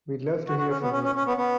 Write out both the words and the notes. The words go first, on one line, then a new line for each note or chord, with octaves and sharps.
We’d love to hear from you.
F#4
F#4
C#4
B3
C#4
C#4
C#4
B3
B3